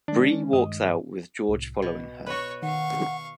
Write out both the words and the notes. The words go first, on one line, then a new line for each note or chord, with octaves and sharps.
Bree walks out with George following her.
D#3 G#3 D4
C#4
G2 D#5
C2 A2
B2
F#4 B4 C#5 C#6
D#3 F5 F#5 C#6